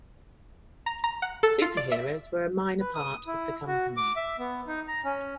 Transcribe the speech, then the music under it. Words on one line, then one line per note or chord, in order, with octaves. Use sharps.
Superheroes were a minor part of the company.
A#5
A#5
F#5
A4
F4
D5
E5
B4
D#6
E4
F#4
D6
E5
B3
D#4
A#5
C#4